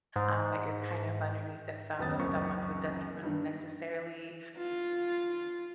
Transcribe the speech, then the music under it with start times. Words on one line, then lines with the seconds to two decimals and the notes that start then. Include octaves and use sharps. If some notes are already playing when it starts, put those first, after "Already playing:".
um, that you're kind of underneath the thumb of someone who doesn't really, necessarily,
0.16 G#2
1.99 F#1 D#2 B3 G5 D#6 A6
2.19 C#2 F#2 A#3 C4 C#6
3.23 G2 D#3
4.58 F4